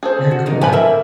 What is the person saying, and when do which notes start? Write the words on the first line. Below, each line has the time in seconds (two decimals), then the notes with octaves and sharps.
Yeah, cool.
0.03 G#4 A4 C5
0.31 F#4
0.46 D#3 D4 D#4
0.61 F3 B3 G#5 B5
0.73 A#3 A4 E5